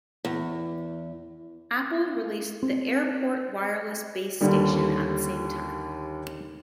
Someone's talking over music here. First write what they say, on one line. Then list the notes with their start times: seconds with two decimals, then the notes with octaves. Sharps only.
Apple released the AirPort Wireless Base Station at the same time.
0.25 E2
2.63 C4
4.41 D#2 D3 G3